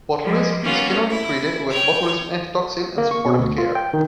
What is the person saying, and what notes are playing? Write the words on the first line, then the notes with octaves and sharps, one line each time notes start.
Botulism is generally treated with botulism antitoxin and supportive care.
F3 G3 G#3
G3 A#3 B3 C#4 F4 F#4
E4
C#5 G5
A#3
C#6
B2
D2
F4
G5
D#3